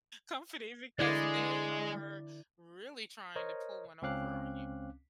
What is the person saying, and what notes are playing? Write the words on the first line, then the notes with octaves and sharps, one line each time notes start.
company because they are really trying to pull one over on you.
D3 G#3 E4 D5
A#4 C5 C#5 D#5
C#2 C4 C#4 F5 D6 F#6